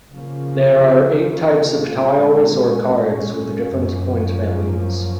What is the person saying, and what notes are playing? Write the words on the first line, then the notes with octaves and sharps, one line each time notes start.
There are eight types of tiles or cards with different point values.
C#3 F3 A#3 C#4
A#2 G#3 C#4
F#2 F3 A#3 C#4